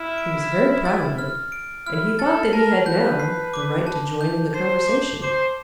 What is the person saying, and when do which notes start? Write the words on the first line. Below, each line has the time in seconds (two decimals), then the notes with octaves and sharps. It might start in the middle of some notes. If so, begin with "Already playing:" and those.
He was very proud of it, and he thought that he had now the right to join in the conversation.
Already playing: E4 F6
0.18 D7
0.52 F6
0.85 A6
1.19 F6
1.52 D7
1.86 E4 F6
2.19 A4 A6
2.53 A#4 A5
2.86 B4 G6
3.20 C7
3.54 D6
3.87 A5
4.21 G6
4.54 C5 C7
4.88 D6
5.22 C5 D6